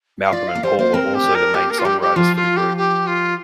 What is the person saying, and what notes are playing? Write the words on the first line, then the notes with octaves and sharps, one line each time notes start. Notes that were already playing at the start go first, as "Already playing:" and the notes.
Malcolm and Paul were also the main songwriters for the group.
F5
F4 D5
F5
A#3
G3 C5
A#3 C5
C4 A#4
G4
D4
A#4
A#3 G4
A#4
F4
G3 G4
G4
F3 F4
F4
G4
G4
F4